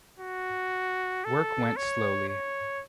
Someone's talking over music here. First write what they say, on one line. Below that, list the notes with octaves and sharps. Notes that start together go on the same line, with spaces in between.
Work went slowly.
F#4
A4
C#5
C#5